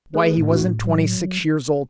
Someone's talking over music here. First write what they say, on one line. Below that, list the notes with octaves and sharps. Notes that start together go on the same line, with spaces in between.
Why, he wasn't twenty-six years old.
A3 G#4 B4
A2
D4 F#4
A2
F#3